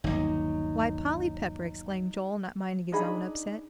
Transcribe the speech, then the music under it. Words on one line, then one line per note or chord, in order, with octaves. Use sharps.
"Why, Polly Pepper!" exclaimed Joel, not minding his own upset.
G1 D#2 F#3 D#4
D4 D#4 G#4 B5